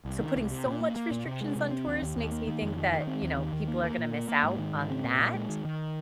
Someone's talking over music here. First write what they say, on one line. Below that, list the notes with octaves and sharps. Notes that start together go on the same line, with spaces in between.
so putting so much restrictions on tourists makes me think that, you know, people are gonna miss out on that.
C2
D#3
C2
C3
A#2
A#3
A#3
A#2
C3
G#3
C3
C4
D#2
D#2
D#2
A#3
D#3
F2
D#3
D#3
C4
D#2
D#3
D#2
A#3
A#3
A#2
A#3
A#3
G#2
D#3
G#2
C4
A#2
A#2
G#3
D#3
D#3